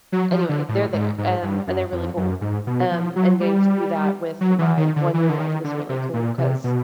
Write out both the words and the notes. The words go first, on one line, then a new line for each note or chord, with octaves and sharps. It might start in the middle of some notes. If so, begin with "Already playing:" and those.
anyway, they're there, and and they're really cool, um, and getting to do that with my one-year-old was really cool 'cause,
F#3
F3
D3
A2
G#2
G#2
G2
F#2
F2
F#2
G#2
B2
F3
F#3
G3
F#3
E3
D#3
D3
E3
D3
D#3
D3
C3
A#2
C3
B2